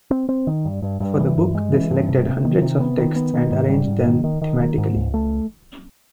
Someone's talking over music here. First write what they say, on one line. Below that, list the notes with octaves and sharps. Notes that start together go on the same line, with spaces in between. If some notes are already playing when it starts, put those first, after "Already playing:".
For the book they selected hundreds of texts and arranged them thematically.
C4
C4
D#3
G2
G2
G2
E3
G2
G#3
E3
G2
C3
C3
D#3
C3
B3
D#3
B3
D#3
G#2
G3
G#2
D#3
D#3
D#3
D#3
G#2
C#2
A3